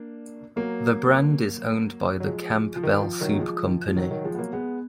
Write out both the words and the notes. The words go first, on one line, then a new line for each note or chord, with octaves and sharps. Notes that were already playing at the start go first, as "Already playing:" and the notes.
The brand is owned by the Campbell Soup Company.
Already playing: A#3 D4
F#3 A#3
F#3
F3 G#3
F3
D#3
F3
D#3 F#3
A#3
F3 G#3
D#3
F3
F3
D#3 F#3
D#3 F#3
F3 G#3
B3
F#3 A#3
G#3 B3